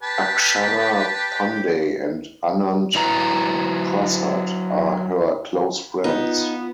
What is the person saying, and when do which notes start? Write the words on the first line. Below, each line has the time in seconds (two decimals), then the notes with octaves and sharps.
Akshara pandey and Anand Prasad are her close friends.
0.03 G4 B4 A5
2.95 F#3 E4 B4 A#5
6.04 B3 D#4 F4